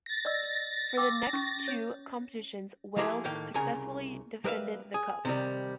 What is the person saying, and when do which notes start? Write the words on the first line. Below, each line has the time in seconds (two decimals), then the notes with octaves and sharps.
For the next two competitions Wales successfully defended the cup.
0.06 A6 A#6
0.25 D5 D#5 E6
0.97 G5 D6 E6
1.33 C#4 C#6
1.68 C#5
2.97 F3 A3 A#3 E4 G4 G#4
3.24 A2 D#3 A#3 G5
3.54 C2 C#3 A#4 G#5
4.44 G3 A#4 B4 E5 F5
4.94 G#4
5.25 C3 D#3 G3